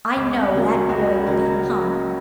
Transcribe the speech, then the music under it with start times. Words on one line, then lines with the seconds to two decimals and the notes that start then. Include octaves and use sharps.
'I know that boy will be hung.'
0.16 C#2
0.54 C#3 F#3 A#3
0.89 C#2 F#4
1.26 C#3 F#3 A#3